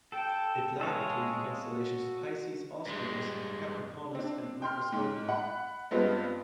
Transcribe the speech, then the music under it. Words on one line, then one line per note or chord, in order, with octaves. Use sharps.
It lie between the constellations Piscis Austrinus, Capricornus and Microscopium.
A4 G5
G#3 A4 C#5 F5
F#4
G2 G#3
C4 D4
G5 C6 F6
G#2
F#5 B5
G2 G3 G#3 B3 C4 F4